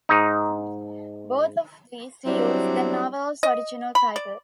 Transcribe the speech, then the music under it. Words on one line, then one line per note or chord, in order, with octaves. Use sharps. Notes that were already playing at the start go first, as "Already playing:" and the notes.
Both of these used the novel's original title.
G#2 D#4
F#3 G3 C4 D4 E4
D#5
B5
D5